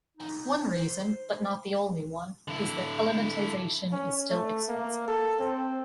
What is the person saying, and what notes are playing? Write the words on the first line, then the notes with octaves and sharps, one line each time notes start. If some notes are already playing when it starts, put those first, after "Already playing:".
One reason, but not the only one, is that elementization is still expensive.
D#4
C5
D3 E4
C#4
A3
A#3
A4
C4